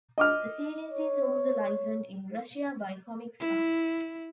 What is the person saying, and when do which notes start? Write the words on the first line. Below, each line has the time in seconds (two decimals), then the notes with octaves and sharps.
The series is also licensed in Russia by Comix-art.
0.18 D#5 D6 F6
0.91 C#5
3.40 E4